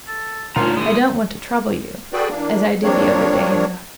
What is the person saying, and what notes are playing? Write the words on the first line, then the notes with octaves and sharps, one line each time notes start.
I don't want to trouble you--as I did the other day in Rome.
A4
D2 A#2 C#4 D#4 F4 A#5 C6
E3 G#3 D#6
F#4 G#4 A4 B4 D5 G5
E3 A#3 D4
F3 G3 A#3 C4 D4 C#5